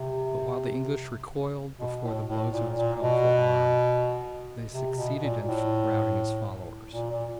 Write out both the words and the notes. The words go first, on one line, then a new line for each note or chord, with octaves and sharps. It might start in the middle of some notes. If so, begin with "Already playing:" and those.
But while the English recoiled before the blows of his powerful arm, they succeeded in routing his followers.
Already playing: C3
B2
A2
A2
A#2
A#2
B2
C3
B2
A#2
A2
A#2
A#2